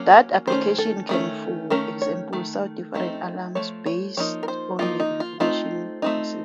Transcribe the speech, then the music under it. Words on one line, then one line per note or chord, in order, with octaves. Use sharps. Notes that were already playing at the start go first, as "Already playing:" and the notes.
That application can, for example, sound different alarms based on the information received.
Already playing: F#3 A#3 C#4
D#3 A3 C#4 C5
A4
D#3 A3 C#4
D#3 A3 C#4 A#4
C#5
D#3 A3
F3 A3 C4 D#4
F3 A3 C#5
C#5
F3 A#3 D#4 C#5
A#4
C5
F3 A#3 D#4 F4
D#4
F4
A3 C4 D#4 F4
A3 C4 D#4